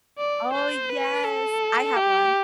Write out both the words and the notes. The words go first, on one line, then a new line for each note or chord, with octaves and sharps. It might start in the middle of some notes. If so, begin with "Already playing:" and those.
Oh, yes, I have one.
D5
C5
B4
A4
G4